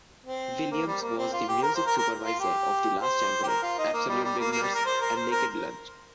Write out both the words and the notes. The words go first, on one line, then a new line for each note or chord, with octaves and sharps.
Williams was the music supervisor of The Last Emperor, Absolute Beginners and Naked Lunch.
C4
A#3
G3
A#3
C4
F4
G4
A#4
C5
A#4
A#4
F4
G4
C5
G4
A#4
F4
D#4
A#3
G3
G3
A#3
A#3
G3
A#4
C5
A#4
C5
A#4